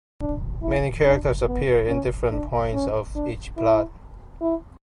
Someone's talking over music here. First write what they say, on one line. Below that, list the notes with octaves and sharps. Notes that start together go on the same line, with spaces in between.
Many characters appear in different points of each plot.
D4
E4
D4
B3
C#4
D4
C#4
D4
E4
E4